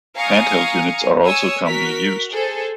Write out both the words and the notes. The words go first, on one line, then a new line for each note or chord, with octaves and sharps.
Hand-held units are also commonly used.
F5 G#5 A#5 C#6 D#6
C#5 G#5 D#6 E6
F#4 A#4 B6
G#4 A4 C5